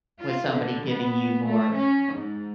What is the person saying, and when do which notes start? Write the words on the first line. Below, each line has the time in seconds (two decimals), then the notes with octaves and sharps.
with somebody giving you more,
0.20 F4
0.50 D3
0.86 B3
1.46 A3
1.75 C#4
2.14 G#2